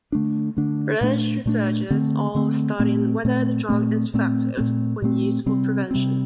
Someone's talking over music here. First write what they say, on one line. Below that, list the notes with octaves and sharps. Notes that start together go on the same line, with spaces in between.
British researchers are studying whether the drug is effective when used for prevention.
D3 A3 D4
D3 A3 D4
A#2 A3 D4
A#2 A3 D4
D3 A3 C4
D3 A3 C4
A#2 A3 C4
A#2 A3 C4
A#2 A3 C4
A#2 A3 C4
A#2 A3 C4
A#2 A3 C4
C3 G3 C4
C3 G3 C4